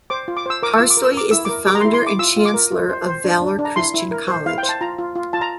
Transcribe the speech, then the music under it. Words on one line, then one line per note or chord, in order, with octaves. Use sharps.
Parsley is the founder and chancellor of Valor Christian College.
C5 D6
F4
D6
C5 E6
A#4 D6
F4 E6
D6
A#4
E6
A#4 D6
E4 E6
A#4 D6
G4 D6
A#5
C6
E4
C6
E4 D6
F4 E6
F4
D6
A#4
F4
C5
C5
D4
D4
D4
A#5
E4 C6
E4
A#4
C5
E4 F5
G5
C5
A5
F4 A#5
F4
F4
F4 A5
A#5